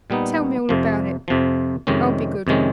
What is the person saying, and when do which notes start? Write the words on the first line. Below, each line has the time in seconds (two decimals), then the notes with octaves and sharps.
"Tell me all about it; I'll be good."
0.10 A#2 G3 B3 D#4
0.69 F2 C3 F3
1.28 F2 C3 F3
1.87 F2 C3 D#3 G#3 C#4
2.47 F2 C3 D#3 G#3 C#4